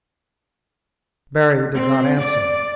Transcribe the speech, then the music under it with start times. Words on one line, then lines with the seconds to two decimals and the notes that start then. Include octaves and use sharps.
Berry did not answer.
1.74 C4
2.21 D5